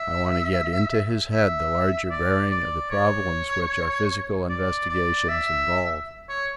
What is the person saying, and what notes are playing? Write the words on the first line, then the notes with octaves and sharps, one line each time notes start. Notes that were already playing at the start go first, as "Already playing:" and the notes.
I want to get into his head the larger bearing of the problems which our physical investigations involve.
Already playing: E5
E5
D5
D5
C#5
D5
D5
E5
C#5